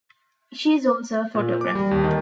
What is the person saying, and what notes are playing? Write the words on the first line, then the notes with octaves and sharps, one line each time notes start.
She is also a photographer.
A#2
D6
G3
D#2
D#3